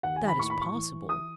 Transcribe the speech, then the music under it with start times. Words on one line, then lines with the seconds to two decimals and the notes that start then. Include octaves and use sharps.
"That is possible."
0.03 D#2 F#5
0.16 G#5
0.21 D#2
0.28 B5
0.39 A2 C#6
0.50 B5
0.56 A2
0.61 C#6
0.74 E3
0.92 E3
1.09 E4 D#6